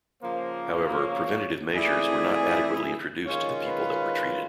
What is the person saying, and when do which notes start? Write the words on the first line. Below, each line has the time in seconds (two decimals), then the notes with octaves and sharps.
However, preventative measures were not adequately introduced to the people that were treated.
0.22 C#3 F3 A#3 C5
0.98 C#5
1.74 E3 A3 C4 E4 G#4 D5
3.26 D#3 G#3 C#4 F4 C#5
3.65 B4